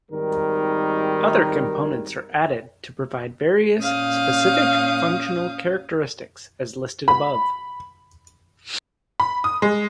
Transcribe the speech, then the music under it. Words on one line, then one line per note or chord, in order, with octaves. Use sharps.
Other components are added to provide various specific functional characteristics as listed above.
G#1 D#3 G3 A#4
A#2 C#4 F5 D#6 G6
B5
B5
D#6
G#3